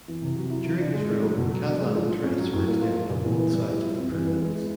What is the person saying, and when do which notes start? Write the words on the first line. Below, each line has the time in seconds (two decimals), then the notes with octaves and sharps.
During his rule Catalan interests were extended on both sides of the Pyrenees.
0.08 E3
0.22 C3
0.36 F#3
0.50 E4
0.66 F3
0.80 D4
0.93 G#3
1.09 D#3
1.23 F#3
1.37 B2
1.52 F#3
1.66 D4
1.80 G#3
1.95 F3
2.09 F3
2.24 C#4
2.39 F#3
2.53 A2
2.67 A#3
2.81 F4
2.95 F3
3.10 A#2
3.25 E3
3.39 B3
3.53 G3
3.69 E4
3.83 F3
3.98 C4
4.11 E3
4.26 B3
4.40 G#3
4.55 E4